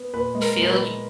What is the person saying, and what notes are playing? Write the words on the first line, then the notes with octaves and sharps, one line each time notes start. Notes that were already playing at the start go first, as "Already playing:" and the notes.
feel you
Already playing: B3
A#2 B4
G#3
A#4
A#2
B4
B3